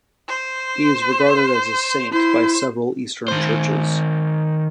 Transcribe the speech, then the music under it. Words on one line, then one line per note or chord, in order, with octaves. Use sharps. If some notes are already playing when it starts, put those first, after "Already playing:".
He is regarded as a saint by several Eastern churches.
C5
E4 C5
D#3 C5